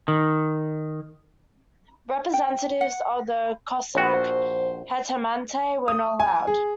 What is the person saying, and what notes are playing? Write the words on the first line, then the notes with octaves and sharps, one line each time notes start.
Representatives of the Cossack Hetmanate were not allowed.
D#3
G5
F#5
A#1 F#4 C5
D#6
G#5
G#4